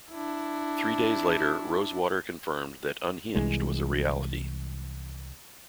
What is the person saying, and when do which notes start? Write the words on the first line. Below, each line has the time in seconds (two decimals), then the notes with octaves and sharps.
Three days later, Rosewater confirmed that "Unhinged" was a reality.
0.12 D4 E4
3.35 C2 E3 G#3